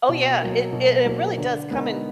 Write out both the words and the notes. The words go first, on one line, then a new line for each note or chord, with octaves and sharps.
Oh yeah, it it it really does come in,
B2
F#3 A#3
B2
F#3 A#3
D3
G#3 B3 D#4 A#4